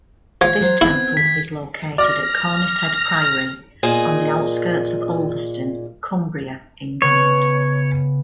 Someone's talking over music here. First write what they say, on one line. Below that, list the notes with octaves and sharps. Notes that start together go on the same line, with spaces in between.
This temple is located at Conishead Priory on the outskirts of Ulverston, Cumbria, England.
F3 G#6
F#3 C5
B3 C4 E4
D#3 B6
D5 F6 A#6
A#2 G#4 D#5
C#3 B3 C#5